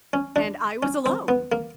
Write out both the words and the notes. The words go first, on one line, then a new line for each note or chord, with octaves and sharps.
and I was alone
C#4
D4
C#4
C4
B3
A#3